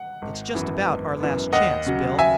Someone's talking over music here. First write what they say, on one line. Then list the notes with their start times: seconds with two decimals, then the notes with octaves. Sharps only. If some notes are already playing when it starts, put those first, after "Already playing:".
It's just about our last chance, Bill.
Already playing: F#5
0.22 G#1
0.54 F#2 E3 B3
0.87 G#1
1.20 F#2 E3 B3
1.53 D#2 D#5 F#5
1.86 C#3 F#3
2.19 E5 G#5